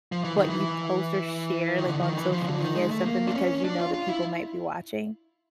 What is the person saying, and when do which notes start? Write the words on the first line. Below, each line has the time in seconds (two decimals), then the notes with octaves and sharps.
what you post or share, like, on social media, something, because you know that people might be watching?
0.12 F3
0.24 E3
0.37 D#3
0.50 E3
1.78 D#3
1.88 D3
2.03 D#3
2.17 E3
2.32 F3
2.40 C#3
2.47 D3
2.61 D#3
2.75 G#3
2.91 A3
3.05 A#3
3.27 D4
3.35 C#4
3.64 D4
3.79 F4
3.94 F4
4.08 E4